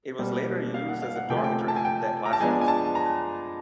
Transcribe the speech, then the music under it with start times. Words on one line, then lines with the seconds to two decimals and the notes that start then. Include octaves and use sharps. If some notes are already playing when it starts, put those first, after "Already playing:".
It was later used as a dormitory, then classrooms.
0.19 B2 G3 A#3
0.74 F5
0.89 F#5
1.02 F5
1.16 F#5
1.30 C3 F3 A3 G5
1.37 G#5
1.44 G5
1.68 A5
1.76 G#5
1.85 G5
2.25 A#5
2.33 A5
2.40 F3 G#3 B3 D4 G#5
2.61 G#5
2.68 A5
2.95 A#5